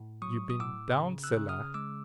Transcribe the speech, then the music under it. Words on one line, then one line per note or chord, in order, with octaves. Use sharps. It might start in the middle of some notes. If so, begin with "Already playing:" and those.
"You been down cellar?"
Already playing: A2
F#3 C#6 D#6
D#6
A2 D6 E6
C#3
E6 F#6
C#3
D#6 F6
G#3 D6 E6